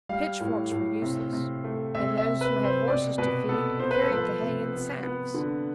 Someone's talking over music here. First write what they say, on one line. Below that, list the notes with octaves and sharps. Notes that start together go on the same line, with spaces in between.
Pitchforks were useless, and those who had horses to feed carried the hay in sacks.
G3 F5
A2
A2
C3
C3
A3
C3 E5
E5
C3
B4
C3
C5
B2 D5
B2 B4
B3 A4
B3 C5
B4
A4
F3 B4
C3
B3
B3
D3